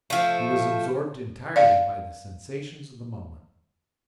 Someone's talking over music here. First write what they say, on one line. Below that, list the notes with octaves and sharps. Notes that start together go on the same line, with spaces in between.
He was absorbed entirely by the sensations of the moment.
F3 A3
D5 F5